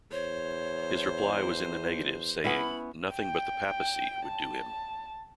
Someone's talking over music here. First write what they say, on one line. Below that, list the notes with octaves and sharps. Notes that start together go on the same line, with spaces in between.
His reply was in the negative saying 'nothing but the papacy' would do him.
E2 C5 C#5
B3 C#4 E4 B5
G5
A5